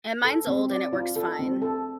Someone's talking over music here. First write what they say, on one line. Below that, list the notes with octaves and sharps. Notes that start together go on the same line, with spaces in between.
And mine's old, and it works fine.
A4
C4
D5
F4
A4
C4
A4